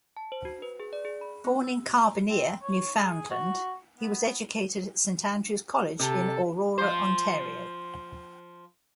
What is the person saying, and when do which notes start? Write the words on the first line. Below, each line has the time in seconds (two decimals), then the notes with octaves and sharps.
Born in Carbonear, Newfoundland, he was educated at Saint Andrew's College in Aurora, Ontario.
0.17 A5
0.32 C5
0.45 F#4
0.62 B4
0.80 G#4
0.93 D5
1.05 G#4
1.21 B5
1.44 C4
1.64 E6
1.97 A#5
2.30 C4
2.62 C#5
3.00 G#4
3.30 F#4
3.98 B3
6.00 C3 A4
6.78 F3 C5